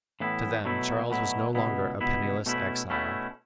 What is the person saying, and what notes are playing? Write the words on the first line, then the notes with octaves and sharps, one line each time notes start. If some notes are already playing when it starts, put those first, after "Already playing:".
To them Charles was no longer a penniless exile.
A2 E3 B3 E4
B2 F#3 A3 E4
B2 F#3 A3 E4
C#2 B2 B3 E4
C#2 B2 B3 E4
B2 A3 C#4 E4
B2 A3 C#4 E4